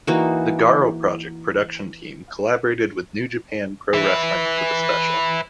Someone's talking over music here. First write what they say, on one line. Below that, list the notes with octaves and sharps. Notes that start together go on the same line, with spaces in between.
The Garo Project production team collaborated with New Japan Pro-Wrestling for the special.
E3 A#3 D#4 F#4
B4 E5